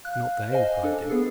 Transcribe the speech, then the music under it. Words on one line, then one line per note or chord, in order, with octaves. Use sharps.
"Not they," replied Dick.
F5 F#6
C5 D#5 G#5
D4 A4
B3 G#4 A4 B4